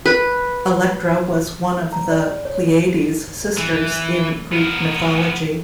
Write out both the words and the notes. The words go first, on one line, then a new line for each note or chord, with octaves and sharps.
Electra was one of the Pleiades sisters in Greek mythology.
B4
A#5
D5
C#5
E3
B3 A#4